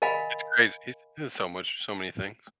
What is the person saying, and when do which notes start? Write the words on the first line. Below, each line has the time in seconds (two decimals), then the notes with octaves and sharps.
It's crazy, he's he's in so much so many things.
0.02 A#4 D#5 F5 G#5 B5